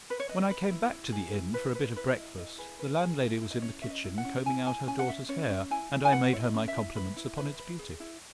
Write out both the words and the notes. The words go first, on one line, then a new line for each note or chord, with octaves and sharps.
When I came back to the inn for a bit of breakfast, the landlady was in the kitchen combing out her daughter's hair; and I made her my compliments upon its beauty.
B4
C#5
B4 D#5
B4
E4
E4
G#4
E4
B4
B4
E4 B4
E4 D#5
E4 D#5
G#4 B4
B4
G#4
E4
E4
D#5
C#4 C#5
C#4 E5
D#5
E4
F#5
C#4
E4 G#5
E4 G#5
C#4 G#5
F#5
C#4 E5
C#4 C#5
C#4
E4 G#5
E4
G#5
B4 F#5
E4 C#5
D#5
C#4
E5
E4
B4
E4
B4
B4
G#4
E4